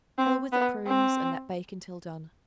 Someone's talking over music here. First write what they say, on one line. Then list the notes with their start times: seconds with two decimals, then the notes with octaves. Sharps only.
Fill with the prunes and let bake until done.
0.18 C4
0.52 B3
0.86 C4